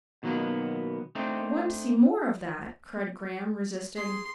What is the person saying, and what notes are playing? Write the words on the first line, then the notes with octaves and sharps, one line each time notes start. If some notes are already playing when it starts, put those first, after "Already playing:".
"I want to see more of that," cried Graham, resisting.
B2 D#3 F#3 A#3 B3
A3 C4 D4 D#4
G#4 C6